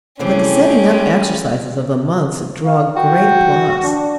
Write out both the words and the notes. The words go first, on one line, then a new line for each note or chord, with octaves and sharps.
But the setting-up exercises of the monks draw great applause.
C3 E3 A3 C4 C#4 G4 G#4 C#5
G3 G#3
F5
F#4 G5
D4